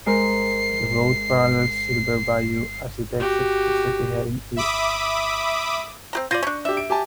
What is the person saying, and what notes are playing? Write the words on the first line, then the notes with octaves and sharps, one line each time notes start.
The road parallels Silver Bayou as it exits the city heading east.
G#3 A#4 C5 C7
F#4 G4
E5 B5 D6 D#6
C4 G4 A#5
F4 D5 G6 A#6 D#7
C#4 D4 C#6
D4 G4 E5
D7
G4 G#5 A5